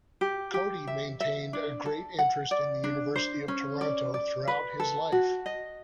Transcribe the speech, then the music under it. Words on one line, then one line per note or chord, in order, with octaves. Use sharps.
Cody maintained a great interest in the University of Toronto throughout his life.
G4
G4
E5
E5
D4
A4
F#5
D5
D4
C5
C#4
D5
D5
B4
A4
F#4
D#5